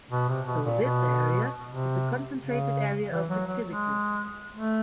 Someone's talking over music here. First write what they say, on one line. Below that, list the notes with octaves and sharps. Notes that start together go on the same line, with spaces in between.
So this area is a concentrated area of activity.
B2
C3
B2
A#2
B2
C3
C#3
E3
F#3
F#3
G#3
A3